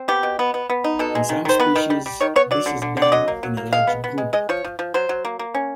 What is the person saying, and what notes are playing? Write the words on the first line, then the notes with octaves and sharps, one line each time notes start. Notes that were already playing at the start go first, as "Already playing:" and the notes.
In some species, this is done in a large group.
Already playing: C4
B3 G4
B2
B3
B3
B3
D#4
B2 A4
G#3
D#3
D#3 C5
B3 B4
D#3
G3
G3
D#3 C#5
B3 C#5
F#3 D5
D3
D3
D3
D5
F#3 D#5
A#3
F#3
A#3
G#3 F5
B3
B3
G#3
G#3 D#5
F3 C#5
F3
F3
F#3 C5
F#3
A#3
A#3
C#4